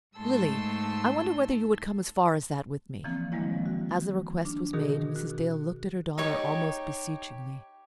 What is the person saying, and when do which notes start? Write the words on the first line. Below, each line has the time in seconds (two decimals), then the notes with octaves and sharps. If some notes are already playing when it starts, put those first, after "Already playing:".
"Lily, I wonder whether you would come as far as that with me." As the request was made Mrs. Dale looked at her daughter almost beseechingly.
0.16 G#2 G#3 A3 A5 C6 E6
3.04 D3 E3 F3 A#3 C4
3.32 D#3 F3 G3 G#3 A#3 E4
3.66 F#4
4.45 D4
4.73 B2 D#3 F#4 G#4 A#4
5.16 F#4
6.18 D#4 G4 C#5 C#6